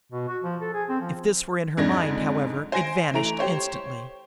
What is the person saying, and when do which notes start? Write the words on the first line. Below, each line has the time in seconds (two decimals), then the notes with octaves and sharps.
If this were in her mind, however, it vanished instantly.
0.12 B2
0.28 F#4
0.43 F3
0.61 A4
0.74 G#4
0.89 C4
1.01 F3
1.77 F2 G#2 D4 G#6 A#6
2.72 C5 G#5 A#6 D7
3.14 E3 A3 A#5 D7 F7
3.39 G4 C5 C#5